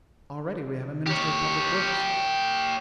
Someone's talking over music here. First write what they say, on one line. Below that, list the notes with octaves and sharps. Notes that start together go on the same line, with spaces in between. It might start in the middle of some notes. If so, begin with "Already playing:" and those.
Already we have a minister of public works.
G4 C#5